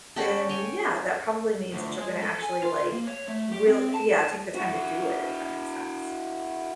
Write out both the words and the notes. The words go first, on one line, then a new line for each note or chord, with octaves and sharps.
then yeah, that probably means that you're gonna actually, like, real yeah, take the time to do it, if that makes sense?
C#4 F#4 G4 A4
C#5 G5 G#5
D2
G#3
A4
G#5
F4
A#3
C#5
A3
G4
C4
A5
E4 F#4